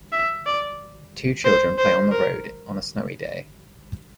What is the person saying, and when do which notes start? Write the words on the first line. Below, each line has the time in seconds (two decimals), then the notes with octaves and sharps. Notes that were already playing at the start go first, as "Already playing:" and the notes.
Two children play on the road on a snowy day.
0.12 E5
0.46 D5
1.45 C5
1.78 C5
2.11 A#4